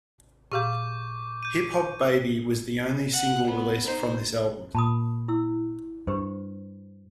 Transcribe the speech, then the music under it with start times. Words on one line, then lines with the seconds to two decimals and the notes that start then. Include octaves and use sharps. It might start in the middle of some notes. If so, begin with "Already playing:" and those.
"Hip Hop Baby" was the only single released from this album.
0.52 A#2 G4 F5 C#6 D6 G6
1.43 G6 D#7
3.13 F#5
3.47 B3
3.85 D#4 C5
4.75 A#2 A5 B5 D#6
5.28 E4 E6
6.07 G2 G4 B4 C5